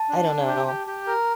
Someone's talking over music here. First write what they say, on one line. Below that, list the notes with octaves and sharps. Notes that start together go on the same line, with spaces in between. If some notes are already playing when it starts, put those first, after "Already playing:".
I don't know.
Already playing: A5
D4
D4
G4
G4
G4
A#4